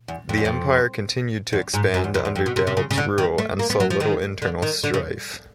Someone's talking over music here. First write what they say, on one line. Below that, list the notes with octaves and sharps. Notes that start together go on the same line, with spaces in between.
The Empire continued to expand under Daoud's rule, and saw little internal strife.
E2
F2
E2
F2
E2
G#2
F#2
E2
F2
E2
F2
B2
C3
C3
C#3
C#3
D3
D#3
A3
A#3
B3
F#3
F3
D#3
D3
D#3
D3
C#3